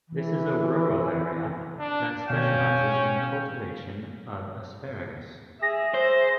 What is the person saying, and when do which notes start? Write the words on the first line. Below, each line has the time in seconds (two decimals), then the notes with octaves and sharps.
This is a rural area that specializes in cultivation of asparagus.
0.09 E3
1.79 D4
2.28 B2 C#4 F5 G5 E7
5.62 G#4 E5 A#6
5.94 C5